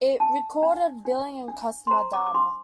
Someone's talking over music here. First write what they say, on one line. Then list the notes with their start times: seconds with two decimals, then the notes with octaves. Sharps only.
It recorded billing and customer data.
0.20 D4 A5
0.63 D4
1.05 D4
1.48 D4
1.87 C6
1.91 C5 A#5
2.13 D6
2.26 D6
2.34 D4 C6